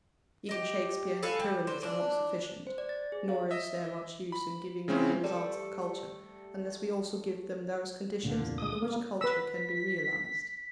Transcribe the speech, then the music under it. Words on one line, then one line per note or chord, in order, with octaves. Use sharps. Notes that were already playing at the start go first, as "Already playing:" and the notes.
Even Shakespeare and the Pyramids are not sufficient; nor is there much use in giving them the results of culture, unless we also give them those conditions under which culture can be realised.
G4 D#5
A4 B4 F5 G#5
G3
D3 C5
E3 D4
C5
D5
A6
G#4
F5
D#5 E5
B5
C#3 G#3 C4 C#4 E4
G3 A3 A4
C#2 A#2 D3
E2
D#6
A#3
B4 E6 B6